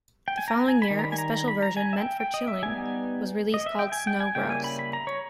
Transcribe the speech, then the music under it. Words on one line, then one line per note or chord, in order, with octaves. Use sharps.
The following year a special version, meant for chilling, was released called Snow Grouse.
G5
G#5
A#5
G#5
B5
D#3 G3
A#5
B5
G#5
A#5
A#5
B5
A#5
G#5
E5
G5
G5
D#5
E5
G3 B3 D#4 G#5
D#5
E5
G5
G#5
G5
G#5
C#3 G3 A#3 C#4 E4 G5
G#5
B5
B5
A#5
C#5